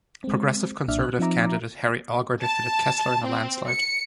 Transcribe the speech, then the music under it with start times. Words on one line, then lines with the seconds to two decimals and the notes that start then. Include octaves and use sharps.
Progressive Conservative candidate Harry Alger defeated Kesler in a landslide.
0.24 G#3 C4
0.88 B1 A#2 D4 D5 E5 F6
1.03 F#6
1.19 F3 C4 D#4 E5 A#5 D6
2.42 A5
3.24 C4
3.68 C#7